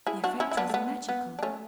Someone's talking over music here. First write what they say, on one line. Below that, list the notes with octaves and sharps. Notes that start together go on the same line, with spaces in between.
The effect was magical.
E4 G#4
D4 F#4
C#4 E4
E4
B3 D4
A3
B3
B3
D4
A3 C#4